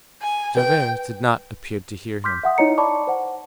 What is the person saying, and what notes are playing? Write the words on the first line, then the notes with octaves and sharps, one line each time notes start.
Javert did not appear to hear him.
G#5
B4 G5
C6 D6 F6 G6 B6
E5 F#5 D#6
D#4 E4 C#5 D#5 A#5 C#7
D5 A5 B5 C#6 D6
C5 F#5